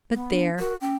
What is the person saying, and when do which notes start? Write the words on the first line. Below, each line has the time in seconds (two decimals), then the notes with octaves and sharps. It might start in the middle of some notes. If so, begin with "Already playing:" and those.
But there!
0.14 B3
0.31 D4
0.59 F#4 A#4
0.81 C#4 G5